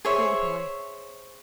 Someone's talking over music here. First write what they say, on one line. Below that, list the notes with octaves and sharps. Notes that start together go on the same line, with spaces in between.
Fill the pie.
G#4 C5 C#5 E5